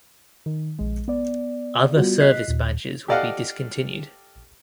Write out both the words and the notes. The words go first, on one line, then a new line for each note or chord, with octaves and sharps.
Other service badges would be discontinued.
D#3
A#1 G#3
B3 D5
G3 B3 F4 F#4
D#5 F#6 B6 C7
D#2 A#2
G4 A4 D5 D#5 F5 F#5